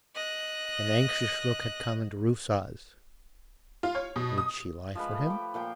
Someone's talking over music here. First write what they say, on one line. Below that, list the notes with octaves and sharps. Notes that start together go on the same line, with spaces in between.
An anxious look had come into Rufe's eyes--would she lie for him?
D#5 F#6
F4
C#5
B2
D#6
F3 G#3 B4
A3
G5 D6
A#2 F3 G5 C6